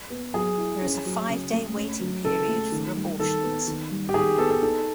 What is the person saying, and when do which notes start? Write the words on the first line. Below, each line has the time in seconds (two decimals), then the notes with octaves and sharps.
There is a five-day waiting period for abortions.
0.10 B3
0.34 F#3 G#4
0.58 E4
0.82 C#4
1.05 F#3
1.29 C#3
1.53 A3
1.77 C#4
2.00 F#3
2.24 C#3 A4
2.48 A3
2.72 D#3
2.96 G3
3.20 D#3 A4
3.43 B3
3.67 D#3
3.91 G3
4.09 G4
4.14 D#3 G#4
4.38 B3 A4
4.50 A4
4.62 D#4 A4